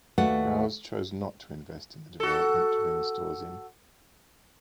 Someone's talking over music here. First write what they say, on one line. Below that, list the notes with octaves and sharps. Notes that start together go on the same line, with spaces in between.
Rouse chose not to invest in the development to bring the stores in.
D#2 A3 F#4 B4 D5 F#5
F#4 A4